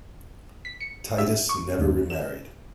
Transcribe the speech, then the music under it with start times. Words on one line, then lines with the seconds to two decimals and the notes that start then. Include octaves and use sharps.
Titus never remarried.
0.65 B6
0.81 C#7
1.18 E5
1.49 C#6
1.78 D#2
2.10 E7